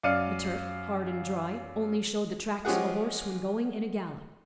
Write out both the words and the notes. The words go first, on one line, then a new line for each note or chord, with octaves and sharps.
The turf, hard and dry, only showed the tracks of a horse when going in a gallop.
F#2 D5 F5 F6 C#7 D#7
F3 G#3 C#4 G4 G#4 F#5